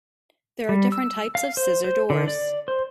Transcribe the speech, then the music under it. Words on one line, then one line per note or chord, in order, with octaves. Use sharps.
There are different types of scissor doors.
G3
E6
F5
C5
C5
D3
D5
C5